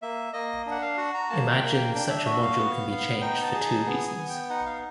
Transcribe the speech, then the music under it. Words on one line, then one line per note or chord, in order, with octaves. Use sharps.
Imagine such a module can be changed for two reasons.
A#3 E5
A#3 D#5
D4 F#5
F5
F#4 F#5
A#5
A#3 A5
G5
A#3
G5
D4 G5
E5
F#4 E5
F5
B3
B3
D#4 G5
A5
G#4
A5
B3
G#5
B3
G5
D#4 F#5
F5